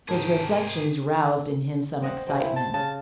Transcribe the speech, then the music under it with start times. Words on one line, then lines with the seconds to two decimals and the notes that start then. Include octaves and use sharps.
His reflections roused in him some excitement.
0.08 G#2 C3 G#4 A#4 G5 A5
2.02 C4 D#5 F#5
2.27 C3 C4
2.41 E4
2.56 A5
2.74 C#3 A5